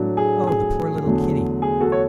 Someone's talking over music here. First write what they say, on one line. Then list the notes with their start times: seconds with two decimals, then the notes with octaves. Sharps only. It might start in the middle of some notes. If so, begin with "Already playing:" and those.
Oh, the poor little kitty!
Already playing: A2 F#3 A3 D4
0.17 G#4
0.47 G#4
1.04 E2 D3 F#3 A3
1.62 G#4
1.81 F#4 A4
1.92 C#5